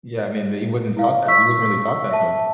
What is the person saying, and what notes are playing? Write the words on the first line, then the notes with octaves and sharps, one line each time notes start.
Yeah. I mean, the you wasn't taught that. You wasn't really taught that though.
E4 F5
C#6 E6 B6
E5 A5